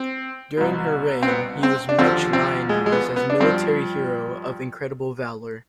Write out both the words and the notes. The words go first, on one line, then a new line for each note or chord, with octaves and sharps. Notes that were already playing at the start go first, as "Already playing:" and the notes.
During her reign he was much lionized as a military hero of incredible valor.
Already playing: C4
C2 B2
C4
B3
C4
D4
D#2 D3 F3 C4
C4
G#3
G#3
B3
B3
D4
G2 F3 C4